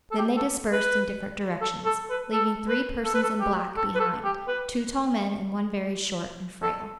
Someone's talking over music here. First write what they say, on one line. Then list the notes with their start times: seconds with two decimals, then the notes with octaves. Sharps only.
Then they dispersed in different directions, leaving three persons in black behind, two tall men and one very short and frail.
0.12 A4
0.18 G4
0.37 A4
0.72 B4
1.61 A4
1.85 A4
2.10 B4
2.32 A4
2.69 B4
3.05 A4
3.14 B4
3.23 A4
3.41 G4
3.77 A4
3.95 B4
4.00 A4
4.24 G4
4.48 B4
6.62 A4